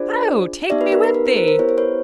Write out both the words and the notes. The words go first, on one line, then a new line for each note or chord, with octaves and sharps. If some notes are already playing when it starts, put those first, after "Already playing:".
'Oh! take me with thee!'
Already playing: D4 F4 G#4 C5 D5
B3 D#4 G4 D5 E5
B4
A#4
B4
A#4
B4
A#4 C5
A#4 C5
B3 E4 G4 C#5
C5
B4 C#5